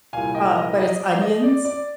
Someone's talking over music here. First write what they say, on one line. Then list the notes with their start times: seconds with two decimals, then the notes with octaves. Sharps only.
uh, but it's onions.
0.13 C2 A#2 F5 G#5
0.35 D#5 G5
0.56 D#5
0.79 D#5
1.00 D5
1.21 D#5
1.43 D5
1.65 D5